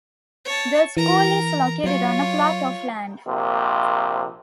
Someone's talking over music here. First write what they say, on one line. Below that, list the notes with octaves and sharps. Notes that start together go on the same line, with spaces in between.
The school is located on a plot of land.
C#5 A5
E3 A#4 A#5
F#3 F4 C#5
A#1 C3 A#3